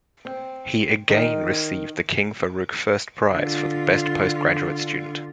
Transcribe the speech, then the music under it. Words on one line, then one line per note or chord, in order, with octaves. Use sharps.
He again received the King Farouk First Prize for the best postgraduate student.
C4
D#3
D3 F4